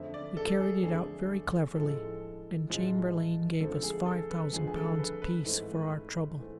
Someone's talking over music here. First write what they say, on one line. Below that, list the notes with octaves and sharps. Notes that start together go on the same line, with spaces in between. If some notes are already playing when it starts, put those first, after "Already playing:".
We carried it out very cleverly, and Chamberlayne gave us five thousand pounds apiece for our trouble.
Already playing: F2 D3 A3 C4 E5
D5
A4
G#4
F2 D3 A3 C4 G#4
A2 F3 G#3 A4
A2 F3 G#3
F2 D3 F3 A3 C4 A4
G#4
A4
B4
F2 D3 F3 A3 C4 G#4
G#4
A4
B4
B4
G#2 E3 A3 C4
E3 A3 C4